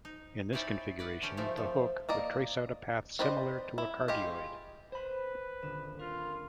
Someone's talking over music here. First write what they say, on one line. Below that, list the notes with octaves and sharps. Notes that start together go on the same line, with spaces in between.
In this configuration, the hook would trace out a path similar to a cardioid.
D#4
C#4 D#4 E4 D5 G5 G#5
B4 D5 F#5
D3 C#4 G4
C3 F3 A3 D#4 G#4 A#4
F3
A#3 D5 D#5
C4 B4 C5 D5 D#5
E4
F4 G4 G#4 D#5
B4 C5 B5
D#1 D3 E7
F4 A#4